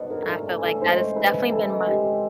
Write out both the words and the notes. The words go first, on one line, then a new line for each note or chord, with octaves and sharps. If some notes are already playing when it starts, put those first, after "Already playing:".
I feel like that has definitely been my
Already playing: B2 D4 B4 C5
E3 A#4
A4
A3 A#4
C#4 A4
A2 A4
G#3 C5
C#4
E4 B4
E3
D#3 A4
G#3
C4 G4